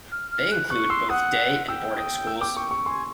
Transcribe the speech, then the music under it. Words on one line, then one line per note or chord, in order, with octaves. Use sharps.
They include both day and boarding schools.
F6
F6
F#6
C#6 F#6
C6 E6
F#5 D#6
G5 E6
D#6
E6
D6
C#6
C#6
G#5 C6